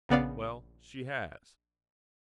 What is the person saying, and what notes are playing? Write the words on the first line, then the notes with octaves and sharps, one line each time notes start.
Well, she has.
A#1 C#3 B3 D5 F5